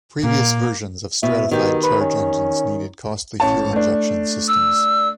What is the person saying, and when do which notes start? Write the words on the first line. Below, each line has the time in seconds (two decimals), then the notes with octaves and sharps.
Previous versions of stratified charge engines needed costly fuel injection systems.
0.24 A#2 A#3
1.23 B2 E4
1.51 B2 D#3 G4
1.84 B4
2.01 C#4
3.40 A1 C#5 A5
3.73 A3 D4
4.48 E6